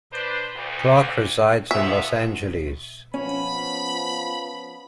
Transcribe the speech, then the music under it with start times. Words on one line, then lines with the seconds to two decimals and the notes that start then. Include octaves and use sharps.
Clark resides in Los Angeles.
0.12 D4 B4 C5
0.55 D2
1.71 D#3 F3 B3 E5
3.14 F3 B3 C#4 B5